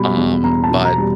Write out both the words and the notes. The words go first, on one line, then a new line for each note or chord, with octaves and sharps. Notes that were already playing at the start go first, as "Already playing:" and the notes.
Um, but,
Already playing: B2 G3 B5
E2
E2 A#5
A5
B2
A#5
G3